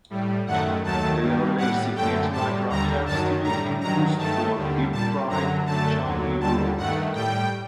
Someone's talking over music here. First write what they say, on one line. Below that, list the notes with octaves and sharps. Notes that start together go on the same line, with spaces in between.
They are lacy, net-like wrappers typically used for deep-fried cha gio rolls.
A2 G3
F#2 D#3 A3 F#5
D#2 D#3 F#3 A3 A5
G2 D#3 G3
A2 G3 F#5
F#2 D3 A3 G5
A2 G3 A5
D#2 D3 G3 A#5
F#2 D#3 F#3 A5
A2 G3 A#5
G2 D#3 F#3 A#5
G2 D#3 A3 A5
D#2 D3 G3
A#2 G3 A5
F#2 D3 F#3 A#5
F#2 D3 A3 A5
D#2 D3 F#3
D#2 D3 G3 A5
G2 D#3 A3 F#5
A2 G3 G5